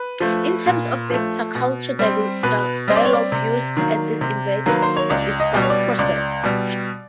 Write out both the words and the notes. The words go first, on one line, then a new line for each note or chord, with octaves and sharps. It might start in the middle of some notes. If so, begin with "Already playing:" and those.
The term for intercultural dialogue used at these events is Baku Process.
Already playing: B4
F3 A3
A#2
F3 A3
B2
G3 C4
B2 B4
G3 C4 D#5
D5
C#5
D5
C3
D#3 F#3 A#3
C3
D#3 F#3 A#3 B4
C5
C#5
C#2 D5
D#5
B2 G3
C#5
D5
C#2 D5
B2 G3